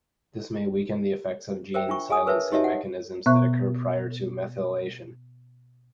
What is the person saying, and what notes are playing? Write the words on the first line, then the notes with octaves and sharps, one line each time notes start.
This may weaken the effects of gene silencing mechanisms that occur prior to methylation.
A#4 C5 E5 G5
D4 F4 C#6
G#4 G#5 D#6
A#4 B4 C#5 E5 A5
D#4 G4 C#5 D#5 E5 A5
F#5
B2 B3 C5 E5 C#6 F#6